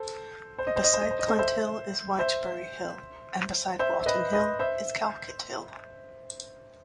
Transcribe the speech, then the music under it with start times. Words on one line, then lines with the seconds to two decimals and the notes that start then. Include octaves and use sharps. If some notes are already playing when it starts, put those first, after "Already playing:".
Beside Clent Hill is Wychbury Hill and beside Walton Hill is Calcot Hill.
Already playing: A4 C5
0.58 C5
0.67 D#5
0.76 C5
0.84 D#5
0.93 C5
1.01 D#5
1.11 C5
1.19 D#5
1.28 A4 C5
1.38 C5 E5
2.18 C5 E5
3.79 C5 E5
3.99 E5
4.06 B4 D#5
4.33 B4 D#5
4.59 C5 E5